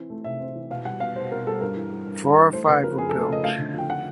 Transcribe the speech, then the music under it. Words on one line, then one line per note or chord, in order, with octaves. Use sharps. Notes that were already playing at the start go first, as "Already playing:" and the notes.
Four or five were built.
Already playing: E3 C4
A3
C3 E5
C4
E3
B2 F5
G3 F#5
B3 F5
B2 C5
B2 A#4
G3 A4
G2 A#4
E3
G3
G2
G2
E3
A3 C5
C#3 B4
F3 A#4
F2 G#4
A4
A3
A4
C#3 D#5
A3 F5
D3
F3 G5
F#5